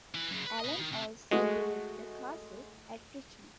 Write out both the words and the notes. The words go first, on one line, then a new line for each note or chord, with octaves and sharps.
Alan also built the castle at Richmond.
E3 B4
F#2 C#3
B4
B4 D#5
D#3
C3
G#3 A3 F#4 D#5